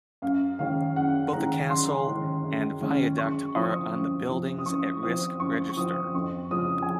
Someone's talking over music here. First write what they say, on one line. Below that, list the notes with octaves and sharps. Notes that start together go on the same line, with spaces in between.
Both the castle and viaduct are on the Buildings at Risk Register.
F#2 F5
D#3 G#3 C#4 F5
F#2 F#5
D#3 G#3 C#4 A#5
F#2 C6
D#3 G#3 C#4
F#2
D#3 G#3 C#4
F#2 C#6
F3 C4 D#6
C#6
D#6
F#2
F3 C4
D#6
F#2 C#6
F3 C4 D#6
F#2 C#6
C#6
F3 C4 D#6
F2 C#6
C#3 F3 G#3 C#4 D#6
G#5